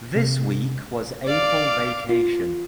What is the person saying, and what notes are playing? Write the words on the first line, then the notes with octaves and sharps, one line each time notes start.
This week was April Vacation.
C3
D5 F5 D6
F4